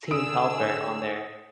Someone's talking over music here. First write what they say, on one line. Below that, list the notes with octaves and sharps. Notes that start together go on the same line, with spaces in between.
team helper on there.
D3 G#4 D#6 E6 D7